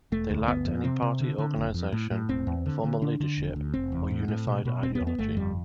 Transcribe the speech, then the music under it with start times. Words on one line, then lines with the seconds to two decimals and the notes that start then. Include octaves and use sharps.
They lacked any party organisation, formal leadership, or unified ideology.
0.12 E1 A3
0.30 D2
0.48 G1 B3
0.66 F2
0.84 C3 C4
1.02 C3
1.20 D3
1.38 D3
1.56 F1
1.74 F2
1.92 A2
2.11 A2
2.29 E1 C4
2.47 E2
2.66 D3
2.83 D3
3.02 D3 D4
3.20 D3
3.37 E1
3.56 D2
3.74 F1 C4
3.92 E2
4.11 A2
4.28 A2
4.47 B2
4.65 B2
4.83 E1 C4
4.95 B3
5.00 E2
5.07 B3
5.18 G1 A3
5.37 F2 G3